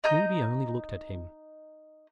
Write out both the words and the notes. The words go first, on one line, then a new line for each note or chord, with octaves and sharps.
Moody only looked at him.
D#4 D#5 A#5 G6